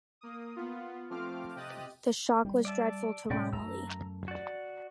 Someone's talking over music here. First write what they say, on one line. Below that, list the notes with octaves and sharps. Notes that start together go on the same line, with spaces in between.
The shock was dreadful to Romilly.
A#3 D#6
B3 F4
F3 A3 C4 F4 D6 F6
C3 G4 D#5 D#6 F#6 A6
G3
D5 E5 A5
A2 C3 F#3 C#4 D5 G5
F#2 A3 A#5 E6
F#4 D5